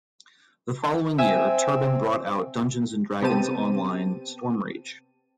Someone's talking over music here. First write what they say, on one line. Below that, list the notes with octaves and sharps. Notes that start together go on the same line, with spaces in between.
The following year Turbine brought out "Dungeons and Dragons Online: Stormreach".
C4 E5 G#5 E6
C3 B3 C4 G4 A5 D#7